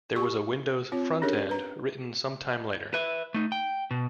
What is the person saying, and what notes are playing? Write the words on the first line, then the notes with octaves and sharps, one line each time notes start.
There was a windows front-end written sometime later.
G4 C#6
C4 F4 C#5
C#4 D4 G4 G#4 A#4 C#5
B4 A#5
B4 E5
A3 D#4
G5
B2